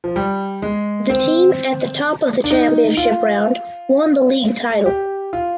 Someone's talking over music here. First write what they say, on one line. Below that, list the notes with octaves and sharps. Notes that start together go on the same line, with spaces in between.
The team at the top of the Championship round won the league title.
F3
G3
G#3
C4
D4
D#4
F4
G4
F4